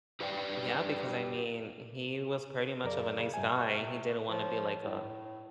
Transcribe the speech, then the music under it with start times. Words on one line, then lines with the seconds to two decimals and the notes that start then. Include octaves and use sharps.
Yeah, because I mean, he was pretty much of a nice guy, he didn't wanna be like, uh,
0.20 G4 B4 D5 F5 G5
2.84 F#2 C#3 A#4 D5
3.12 C#3
3.34 G2 C3 G#5
3.51 C#6
4.30 F3 C#5
4.83 A2